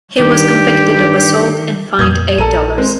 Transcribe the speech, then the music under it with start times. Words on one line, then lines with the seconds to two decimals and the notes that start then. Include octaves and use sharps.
He was convicted of assault, and fined eight dollars.
0.19 G2 D#3 G4
1.99 F2 A#2 D#6 G6 G#6
2.38 A#1 A4 A#5 D#7
2.78 G#3 C4